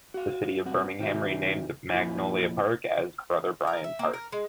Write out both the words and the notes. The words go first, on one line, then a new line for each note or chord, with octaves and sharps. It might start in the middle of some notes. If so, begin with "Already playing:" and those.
The City of Birmingham renamed Magnolia Park as "Brother Bryan Park".
F#4 F5
G2 C3 F#4
C3 D#3 F#4 E5
A#2 F3 E4
A#4
E5
A#3
A#4
G#3